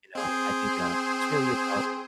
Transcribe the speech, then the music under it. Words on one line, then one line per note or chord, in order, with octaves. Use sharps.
uh, you know, I think, uh, it's really about,
C4 G#4 C5